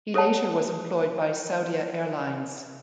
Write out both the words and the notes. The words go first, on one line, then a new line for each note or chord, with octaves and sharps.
He later was employed by Saudia Airlines.
G#4 A4 C#5 F#5 A5